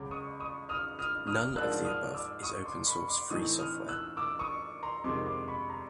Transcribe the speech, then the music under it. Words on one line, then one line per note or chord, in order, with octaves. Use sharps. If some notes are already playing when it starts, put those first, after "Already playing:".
None of the above is open source free software.
Already playing: C#2 C#3 F#3 D6
C#6 D#6
C#6 D#6
D#6 F6
D#6 F6
D#6 F6
G#2 F3 A#3 D4 E6 F#6
D#6 F6
D6 E6
C#6 D#6
C6 D6
B5 C#6
C6 D6
A2 E3 A3 C4 D#4 C#6 D#6
D#6 F6
E6 F#6
D6 E6
C#6 D#6
A#5 C6
F2 C3 D#3 G#3 C6 D6
C6 D6
B5 C#6
A#5 C6